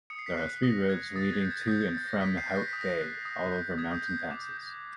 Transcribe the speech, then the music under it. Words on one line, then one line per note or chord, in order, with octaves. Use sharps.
There are three roads leading to and from Hout Bay, all over mountain passes.
D#6 C#7
C7
B6
F#6 C7
D#6 A#6
F#6 G#6
D#6 A6
G#6
G6
G#6
D#6 G6
G#6
G6 A6
A#6
D#6 B6
C7
F#6
A#6
D#6 B6
A#6
F#6
D#6
G6
D#6 G#6
G6
G6
G#6
D6
G6